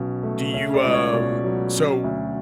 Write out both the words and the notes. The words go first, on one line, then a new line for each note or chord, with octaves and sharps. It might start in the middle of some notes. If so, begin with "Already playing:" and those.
Do you, um so,
Already playing: B1 B2 C#4
A3
C#4 E5
D5
C#2
C#5
B2 D5
F#3
C#4
D2